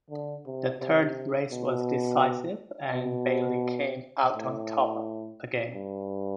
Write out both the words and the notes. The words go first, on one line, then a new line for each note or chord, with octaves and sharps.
The third race was decisive and Bayley came out on top again.
D3
C3
C3
B2
B2
A2
G2